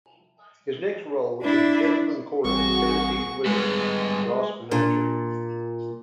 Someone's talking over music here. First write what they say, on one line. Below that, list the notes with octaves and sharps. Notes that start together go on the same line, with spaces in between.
His next role was as the Gentleman Caller in Tennessee Williams' "The Glass Menagerie".
D4 E4
A1 G3 A#3 C4 F#4 G#4 C#6
G3 G#3 A4 B4
A#2 D4